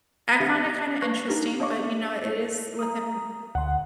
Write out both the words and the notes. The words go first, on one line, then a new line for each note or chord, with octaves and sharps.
I found it kinda interesting, but you know, it is within
C4 D4 G4 E5
B4 C#6 F#6 G#6 A#6
D4 D#4 G4 A#4
D4 C#5 D#5 F5 C#6 D6
A#5 D#6
D2 F#5 C6